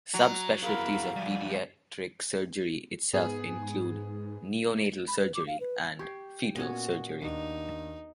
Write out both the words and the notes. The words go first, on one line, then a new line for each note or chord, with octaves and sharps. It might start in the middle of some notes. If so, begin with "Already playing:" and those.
Subspecialties of pediatric surgery itself include: neonatal surgery and fetal surgery.
F#3 A#5
E4 G#4 A#4 F5 B5
F3 G3 G#5
G#2 B3 G#4 G#5
B5
B4
D6
F5
B4
G4 C#6 G#6 C7
A#2 B3 C#4 F#4 G#6
D#2 D4 D#4